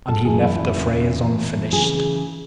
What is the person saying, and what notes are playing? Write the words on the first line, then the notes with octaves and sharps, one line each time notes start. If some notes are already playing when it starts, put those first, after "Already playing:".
And he left the phrase unfinished.
A4
F#2 E3 G#4
E4
E4
E2 C#3 E3
A2 E3
C#3 E3 G#4